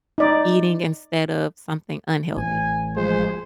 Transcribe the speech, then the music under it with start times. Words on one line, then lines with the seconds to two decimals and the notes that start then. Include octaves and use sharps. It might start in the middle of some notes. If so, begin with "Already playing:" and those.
eating instead of something unhealthy?
0.18 D#4 D5
2.37 A1 G#5
2.97 F3 G#3 G#4 C5